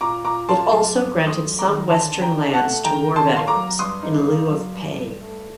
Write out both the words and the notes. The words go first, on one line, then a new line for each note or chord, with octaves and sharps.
It also granted some western lands to war veterans in lieu of pay.
A#2 A#5 D6
A#2 A#5 D6
A#3 A5 C6
F#3 A5 C6
G2
A3
C6 D#6
F#3
A#5 D6
D#3
D3 A5 C6
D3
G5 A#5
D#4
F#5 A5
A3
D#3 G5 A#5
D#3
A5 C6
A#3 C6
A#5 D6
F#3
G2 C6 D#6
D#4
A#3
F#3
G2
G2
A3